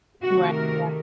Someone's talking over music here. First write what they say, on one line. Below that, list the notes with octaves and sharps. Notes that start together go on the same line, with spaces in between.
Right, yeah.
C3 D#3 A3 F#4
A#4